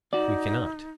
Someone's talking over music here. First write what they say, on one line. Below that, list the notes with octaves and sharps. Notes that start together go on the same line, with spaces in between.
We cannot.
D#4 F#4 D5